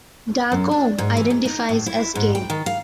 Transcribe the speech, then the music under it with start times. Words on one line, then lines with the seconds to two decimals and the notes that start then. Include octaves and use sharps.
Darkholme identifies as gay.
0.52 F#2
0.71 D4
0.98 G#2
1.17 E3
1.30 G#2
1.45 D#4
1.69 A2
1.86 E4
2.15 G#2
2.35 G5
2.50 D#3
2.66 F5